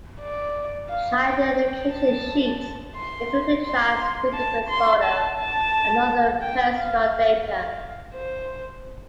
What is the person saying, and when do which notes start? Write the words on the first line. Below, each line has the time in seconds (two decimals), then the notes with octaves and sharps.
Child identification sheets include the child's fingerprints, photo and other personal data.
0.21 D5
0.90 F5
1.25 G5
1.93 A5
2.96 C6
3.66 C6
4.35 A5
4.69 C6
5.04 A5
5.38 A5
6.42 G5
6.76 F5
7.45 F5
8.14 C5